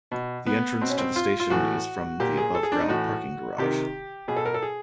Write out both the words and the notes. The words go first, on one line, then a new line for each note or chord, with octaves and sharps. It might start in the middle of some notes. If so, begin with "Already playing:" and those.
The entrance to the station is from the above ground parking garage.
B2
B3
B2 C4
C#4
C4
F4
F4
A2 E3 F#4
A#2 G4
G#4
A4
G#4
D4
D#4
A2 E3 F#4
C3 D#3 G4
B2 G#4
A4
A#4
A4
G#4